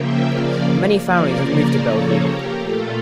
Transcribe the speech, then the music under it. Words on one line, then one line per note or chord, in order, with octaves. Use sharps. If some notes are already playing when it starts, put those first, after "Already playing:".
Mainly families have moved to Bellevue.
Already playing: C#3 F3 A#3 E5 G5
D5 F5
C#3 F3 A#3 A#4 D5
A#4 D5
A4 C#5
G4 A#4
A#2 A3 F4 A4